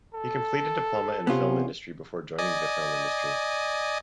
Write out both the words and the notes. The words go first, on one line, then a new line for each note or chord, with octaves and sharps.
He completed diploma in film industry before joining the film industry.
A4
C3 B3 C#4 F4
D5 D#5 G#5